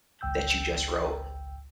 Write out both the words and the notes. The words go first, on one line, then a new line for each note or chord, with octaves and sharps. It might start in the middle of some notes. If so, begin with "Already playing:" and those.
that you just wrote.
G#1 C#2 G5 E6 G6